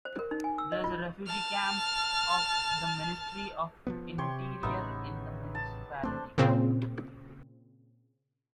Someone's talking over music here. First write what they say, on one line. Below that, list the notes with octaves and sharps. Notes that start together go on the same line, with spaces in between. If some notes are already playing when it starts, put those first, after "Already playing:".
There is a refugee camp of the Ministry of Interior in the municipality.
C5
A#4
D#4
G#5
E6
D#5
F4
A5 F6
F3 F#3 B3
C3 G4 C#5 C6
A1 A2 C#3 B3 D#4 E5
A5
E2 A3 C4 D4 C5
A#2 C#3 C4